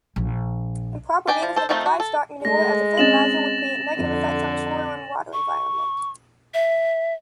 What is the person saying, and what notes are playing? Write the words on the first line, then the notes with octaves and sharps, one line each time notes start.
Improper management of livestock manure as a fertilizer would create negative effects on the soil and water environment.
A#1
D4 G4 G5 G#5
F3
A4 C5
D#3 F3 A3 C4 D#4
F#4
A4
G#3 A3 A#6
C4 C#4 D#5 A6 E7 F#7
F2 D3
C#6
E5